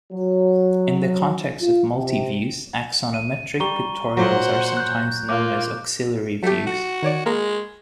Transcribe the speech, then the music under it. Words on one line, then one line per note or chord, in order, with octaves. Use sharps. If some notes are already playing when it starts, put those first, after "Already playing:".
In the context of multiviews, axonometric pictorials are sometimes known as "auxiliary views".
F#3
F4
C3
D#7
G3 A#5 C#6 G7
A#2 F#3 C5 F#5
F#6 G6
A#3 F4 D6
F#3 A3 G4
F#4
D#3 C#5 D5
G#3 A#3 A#4